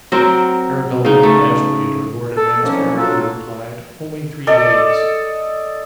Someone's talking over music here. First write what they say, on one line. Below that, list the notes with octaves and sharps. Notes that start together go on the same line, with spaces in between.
Arabella looked bashfully at her lord and master, who replied, 'Only three days.'
F#3 C4 A#4
C#3 D#4
A3
A4
C2 D#3 F3 F#3 A#3 C#4
F#3 A#3 D4 F4 A4
A4 D5 D#5